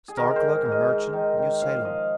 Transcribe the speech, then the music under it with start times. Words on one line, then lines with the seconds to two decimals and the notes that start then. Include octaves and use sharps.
Store clerk and merchant, New Salem.
0.08 G#4
0.17 D#3 A#4
0.31 A#4
0.36 C5
0.41 G#2
0.65 G#2
0.72 D#5
0.90 G#2
1.13 D#3
1.37 D#3
1.62 F3 F5
1.79 F5
1.85 F3 D#5